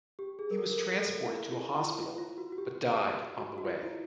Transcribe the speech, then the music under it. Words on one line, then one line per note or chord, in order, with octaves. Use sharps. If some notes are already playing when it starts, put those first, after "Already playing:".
He was transported to a hospital, but died on the way.
G4
G#4
A#4
A4
A#4
A4
A4
E4
F4
E4
F4
F4
F#4
F#4
G4
F#4
F#4
F4
E4